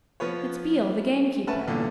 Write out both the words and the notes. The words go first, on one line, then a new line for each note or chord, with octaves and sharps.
It's Beale the gamekeeper.
F3 B3 B4 C#5
A3 C#4 B4 F#5 A5
E2 G2 A#2 D3